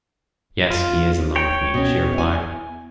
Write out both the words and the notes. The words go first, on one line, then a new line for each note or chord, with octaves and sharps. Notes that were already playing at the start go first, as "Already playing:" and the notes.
"Yes, he is in love with me," she replied.
F4
C#5 G5
B2 C#4
E4 G#5